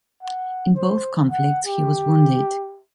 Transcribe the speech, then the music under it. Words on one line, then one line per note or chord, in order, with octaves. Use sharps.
In both conflicts he was wounded.
F#5
C5
F#5
G4